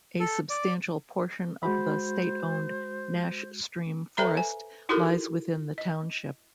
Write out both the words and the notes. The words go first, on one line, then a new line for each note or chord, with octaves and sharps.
A substantial portion of the state-owned Nash Stream Forest lies within the township.
A4
D5
G#3 F#4 C5 B5
A4 B4 C5 E5 A#5 B5
G#5
D#4 E4 F#4 G4 A4 A#4
D#5